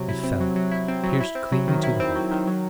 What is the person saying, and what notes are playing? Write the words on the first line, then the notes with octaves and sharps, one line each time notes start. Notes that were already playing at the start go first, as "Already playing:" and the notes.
It fell, pierced cleanly to the heart.
Already playing: C3 F#3
E4
C4
F#3
F#3
E4
C4
F#3
E4
C4
F#3
D#3
E4
C4
F#3
D#3
F#3